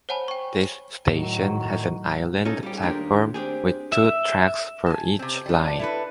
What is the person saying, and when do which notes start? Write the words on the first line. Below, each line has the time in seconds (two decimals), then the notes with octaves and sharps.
This station has an island platform with two tracks for each line.
0.09 C5 C#5 F#5 G#5 A5 B5
0.28 G5 C#6
1.06 A2 D#3 F#3
2.45 C#4 D#4 F4 G#4 A4
2.63 G3 G4
2.82 D#2 G#3 D4 G4 A#4
3.34 C4 D4 G4 G#4
3.92 E5
4.86 G#5 A5
5.19 C3 C4
5.46 G3 D4
5.79 E4 A4 B4